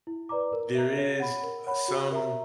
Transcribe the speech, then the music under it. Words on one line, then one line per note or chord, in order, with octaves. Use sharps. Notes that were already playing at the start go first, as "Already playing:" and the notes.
there is, uh, some
E4
B4 D5 A#5 D6
A#4
E5 A#5
C#5
F#5 B5
A#4
C#5 F#5 B5
F#4
A#4 E5 A#5